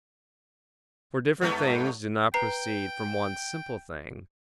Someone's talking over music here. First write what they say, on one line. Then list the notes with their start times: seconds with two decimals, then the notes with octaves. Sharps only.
For different things do not proceed from one simple thing.
1.41 G2 A3 B3
2.34 B4 G5 A#5 C7